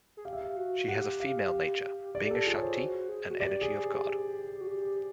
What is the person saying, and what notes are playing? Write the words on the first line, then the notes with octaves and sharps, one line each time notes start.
She has a female nature, being a shakti, an energy of God.
G#4
G4 F5
E5
F5
F#4
G4 F#5
F5
G4 D5
A4
F4 G#4
C#5
C5
F#4
G#4
F#4
G4 D5
G#4
F#4
G4